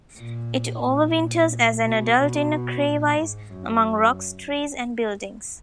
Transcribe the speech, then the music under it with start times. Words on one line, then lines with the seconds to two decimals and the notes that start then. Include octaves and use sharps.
It overwinters as an adult in a crevice among rocks, trees, and buildings.
0.18 A#2
0.84 A#2
1.85 B2
2.18 B2
2.85 A#2
3.18 G#2
3.52 F#2